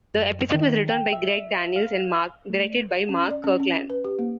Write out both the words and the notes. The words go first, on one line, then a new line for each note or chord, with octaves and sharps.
The episode was written by Greg Daniels, and directed by Mark Kirkland.
F#2
D#3
G5
E5
F5
A3
C#4
D5
C#4
C#4
B4
G4
A#3